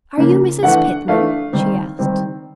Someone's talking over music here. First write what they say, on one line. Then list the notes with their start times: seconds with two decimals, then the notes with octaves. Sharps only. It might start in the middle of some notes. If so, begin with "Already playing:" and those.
"Are you Mrs. Pitman?" she asked.
0.18 C#3 F3 A#3
0.63 E3 A3 D4 F#5
1.08 E3 A3 D4 F5
1.53 D#3 G3 C4
1.99 D#3 G3 C4